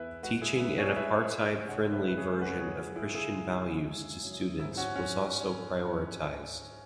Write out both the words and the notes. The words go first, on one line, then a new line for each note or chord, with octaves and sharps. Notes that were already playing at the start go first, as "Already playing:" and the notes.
Teaching an apartheid-friendly version of Christian values to students was also prioritized.
Already playing: E2 E4 B4 E5
G#3 F#4 B4
E4 G#4
G#3 B4 E5
G#4 C#5
G#3 B4 E5
G#3
C#3 C#5 F#5
B4 E5
G#3 B4
G#4 C#5
G#4
C#3 F#4 B4
G#4 C#5
F#2 E4 G#4
E4 G#4
C#3 E4 G#4
F#2
G#3
F#2
G#2 E4
C#4 F#4
C#4 F#4